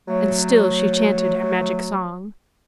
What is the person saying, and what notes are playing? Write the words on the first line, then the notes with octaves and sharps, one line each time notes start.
And still she chanted her Magic Song.
F#3 A3